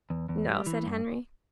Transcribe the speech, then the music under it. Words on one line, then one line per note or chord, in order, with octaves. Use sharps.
"No," said Henry.
E2
E2
G3
E3
G2